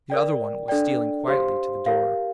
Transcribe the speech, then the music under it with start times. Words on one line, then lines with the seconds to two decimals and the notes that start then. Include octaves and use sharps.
The other one was stealing quietly to the door.
0.10 A#4 D5 G5
0.68 D4 A4 D5 G5
1.28 G4 C5 F5 C6
1.86 G4 A#4 F5